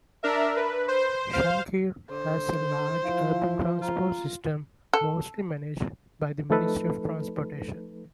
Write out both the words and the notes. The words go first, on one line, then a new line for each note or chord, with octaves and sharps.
Shamkir has a large urban transport system, mostly managed by the Ministry of Transportation.
D4 A#4 E5
B4
C5
C5 F5
D3 C5
F3 E4 F5
F4 A#5
A4
F3 A3 D#4 A4 B4